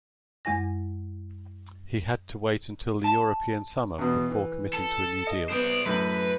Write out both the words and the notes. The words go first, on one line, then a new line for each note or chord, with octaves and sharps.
He had to wait until the European summer before committing to a new deal.
F#2 G#3 E4 G#5 A#6
A5
E2 B2
E3
A4
D#5
G#3 B3 C5 D5
F#2 A2 B4